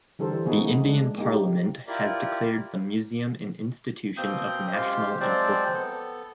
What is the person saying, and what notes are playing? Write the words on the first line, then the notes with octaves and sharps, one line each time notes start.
The Indian Parliament has declared the museum an Institution of National Importance.
D3 E3 G3 A4 A#4 C5
B3 D#4 F4 F#4 G#4 B4
A3
G#3 D4
A#3 D#4 G4
E4 F4 G4 A#4 D5
B2 A#3 C4 D#6 G6
F#2 G#3 F4 G4 C5 F5
F3 F#3 G#3 C4 C5 D5
B3 A4